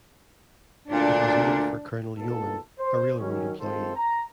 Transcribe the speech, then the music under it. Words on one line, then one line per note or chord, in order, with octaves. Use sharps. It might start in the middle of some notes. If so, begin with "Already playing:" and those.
It was named for Colonel Yeoman, a railroad employee.
D2 A#2 D4
C#2 B2 A#3 D#4 A4
C5
D#3 F#3 C#4
D#3 G#3 C4 F4 A4 C5
A#5